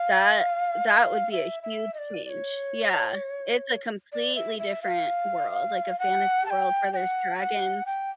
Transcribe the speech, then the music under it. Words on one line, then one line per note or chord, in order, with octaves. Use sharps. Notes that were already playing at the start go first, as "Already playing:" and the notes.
that that would be a huge change Yeah, it's a completely different world, like, a fantasy world where there's dragons
Already playing: F5
E5
E5
D#5
D5
D5
C#5
D5
E5
E5
F5
F#5
A5
G5
G5
F#5
F#5
G5